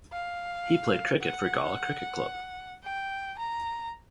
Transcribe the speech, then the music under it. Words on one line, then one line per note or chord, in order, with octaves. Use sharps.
He played cricket for Gala cricket club.
F5
F#5
G5
A#5